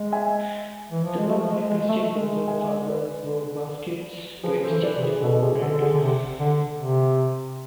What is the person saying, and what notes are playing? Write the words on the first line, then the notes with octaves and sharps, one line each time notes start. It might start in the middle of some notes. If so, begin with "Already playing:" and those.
The early Christian Desert Fathers wove baskets to exchange for bread.
Already playing: G#3
E5 G#5
E3
F3
G#3
A3
F3
G#3
G#3
A3
G#3
E5 G#5
B4 D5
F3 G#4 B4
A4 C5
E3
B4 D5
C3
G#4 B4
B2 A4
B2
C3 G#4
D3 A4
D3 G#4
D3
C3
D3
C3